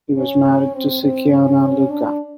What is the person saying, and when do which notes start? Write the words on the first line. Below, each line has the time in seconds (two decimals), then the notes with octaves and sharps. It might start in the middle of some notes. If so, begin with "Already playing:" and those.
He was married to Sikiona Luka.
0.17 C#4
0.74 C4
1.03 C4
1.32 C#4
1.61 C#4
1.90 D4